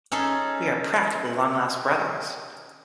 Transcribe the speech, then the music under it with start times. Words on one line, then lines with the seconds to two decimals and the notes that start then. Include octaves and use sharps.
We are practically long-lost brothers.
0.12 C#4 D#4 G#4 A4